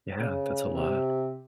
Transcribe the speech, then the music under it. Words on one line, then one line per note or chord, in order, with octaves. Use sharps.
Yeah, that's a lot.
C#3
C3